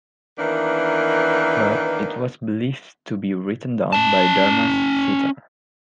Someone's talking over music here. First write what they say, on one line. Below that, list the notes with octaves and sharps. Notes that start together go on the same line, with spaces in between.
But it was believed to be written down by Dharma Citar.
D#3 E3 A#3 B3 D4
C#4 A5